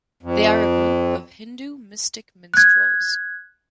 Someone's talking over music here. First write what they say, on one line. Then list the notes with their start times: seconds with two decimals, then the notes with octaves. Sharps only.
They are a group of Hindu mystic minstrels.
0.23 F2
2.54 F#6 G#6